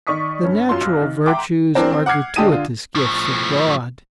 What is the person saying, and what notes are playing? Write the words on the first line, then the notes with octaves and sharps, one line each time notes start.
The natural virtues are gratuitous gifts of God.
D#3 D5 C#6 D#6 B6
G2 C#4
F#2 F4 C6
B1
D#3
E5 F#5 G5 A#5 C6 D6
E3 C4 D4 A#4 C5
C4
F#5 D6 F6 G#6 C7
D3 G#3 G4 A5 D#6 D#7
D3 F4
A2 F3